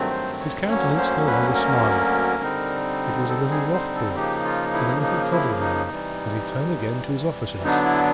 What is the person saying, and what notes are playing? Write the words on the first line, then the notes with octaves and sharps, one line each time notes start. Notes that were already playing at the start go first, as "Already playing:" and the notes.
His countenance no longer smiled; it was a little wrathful and a little troubled now as he turned again to his officers.
Already playing: G2 D#3 F#3 A3 C4
C5
C#5
D2 D3 F#3 A#3 C#4 C#5
C5
B4
A#4
D3 G3 C4 D#4
A4
G#4
C5
A4
C#3 F3 A#3 D#4 G4
F4
E4
D#4
E4
D#4
C3 E3 G3
D3 F#3 B3 D4 D#4
E4